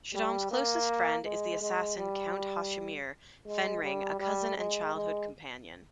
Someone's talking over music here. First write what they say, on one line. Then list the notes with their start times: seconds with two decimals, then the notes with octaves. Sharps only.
Shaddam's closest friend is the assassin Count Hasimir Fenring, a cousin and childhood companion.
0.13 G3
0.51 A#3
1.25 G#3
1.61 G#3
1.97 G3
3.46 G#3
3.83 G3
4.19 G3
4.58 G#3
4.94 G#3